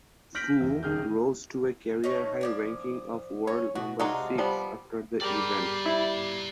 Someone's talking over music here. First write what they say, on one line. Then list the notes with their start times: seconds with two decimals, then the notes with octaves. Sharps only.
Fu rose to a career-high ranking of world number six after the event.
0.35 F6 G6 A#6 B6 D7 F#7
0.61 E2
0.83 D#1 D#3 G#4 F6 G6
2.04 A3 C#4 D#4
2.41 F3 D5 G#5
3.47 C#4 C#5
3.75 B2 F#4
4.00 C3 G#3 D4 D#4 F4 F#4
4.38 F3 G3 B3
5.21 G3 G4 G#4 A#4 D5 A#5
5.86 E4 D6